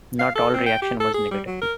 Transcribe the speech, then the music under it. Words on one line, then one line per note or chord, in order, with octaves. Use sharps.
Not all reaction was negative.
F5
A4
C4
G5
G4
A4
G#4
G3
F#3
A#4